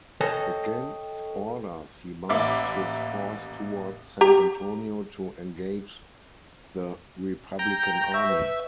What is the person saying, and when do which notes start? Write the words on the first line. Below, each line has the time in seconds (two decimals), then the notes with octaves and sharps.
Against orders, he marched his force toward San Antonio to engage the Republican Army.
0.21 A4 C#5 D#5 G5 A5
2.29 A1 A#3 E5 D6
4.21 G4 A#5
7.59 G5 A#5 G6
8.14 E5 C#6
8.29 B4